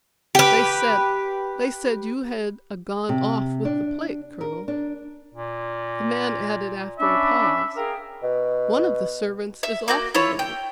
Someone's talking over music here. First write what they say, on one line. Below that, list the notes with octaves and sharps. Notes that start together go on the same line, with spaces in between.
They said--they said you had gone off with the plate, Colonel"--the man added after a pause--"One of the servants is off already.
G4 B4
C3
D4
A#4
D4
A#2
C#4 D4 E5 B5
G#4 A#4 F5 G5
B2
E5
A#3 F#4 G6
E4 F4 C#5
G5